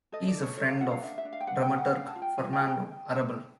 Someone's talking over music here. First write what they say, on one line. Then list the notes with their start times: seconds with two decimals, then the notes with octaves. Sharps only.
He is a friend of dramaturg Fernando Arrabal.
0.12 A4 D#5
0.28 D5
0.35 A4
0.43 C#5
0.57 A4 C#5
0.70 F5
0.80 F4 F#5
0.91 F5
1.03 D4 E5
1.18 E5
1.25 D4
1.33 F5
1.41 G5
1.47 B4 F#5
1.62 G5
1.71 G4
1.78 F#5
1.93 D4 F5
2.08 A5
2.15 F4
2.22 G5
2.37 F4 G#5
2.53 G5
2.60 G#4
2.68 G5